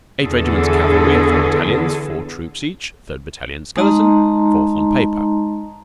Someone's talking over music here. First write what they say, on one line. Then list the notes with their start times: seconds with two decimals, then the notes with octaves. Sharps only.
Eight regiments cavalry at four battalions, four troops each; third battalion, skeleton; fourth on paper.
0.22 E2 D3 G#4 A4
3.76 G#3 D#4 D#5 A5 A#5 C6